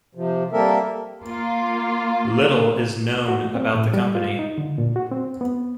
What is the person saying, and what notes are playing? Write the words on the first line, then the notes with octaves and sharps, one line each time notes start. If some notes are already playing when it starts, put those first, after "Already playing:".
Little is known about the company.
C3 F3
G3 A#3 C4 A4 A#4 E5
A#3 F4
F#4
C4
A2
G3
F4
D#4
D3
A#2
F#4
C4
B3